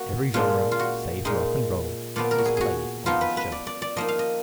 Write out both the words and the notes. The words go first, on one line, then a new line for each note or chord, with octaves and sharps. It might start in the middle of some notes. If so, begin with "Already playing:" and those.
Every genre save rock and roll was played on his show.
Already playing: A#3 F#4
A#2 G#3 D4 F4
F4
F#4
A#2 G#3 D#4
A#2 F3 B3 D5
A#4
F#4
G#4
F#4 G#4
F3 B3 D#4 F4
B4
B4
D5
D5
D5
F3 A#3 D#4 D#5
F5
D#5